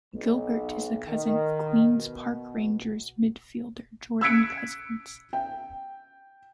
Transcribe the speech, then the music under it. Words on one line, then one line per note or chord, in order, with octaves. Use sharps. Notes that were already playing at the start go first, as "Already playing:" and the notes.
Gilbert is the cousin of Queens Park Rangers midfielder Jordan Cousins.
B1
D#3
B2
E6 F#6 G#6 B6 C#7 D7
G5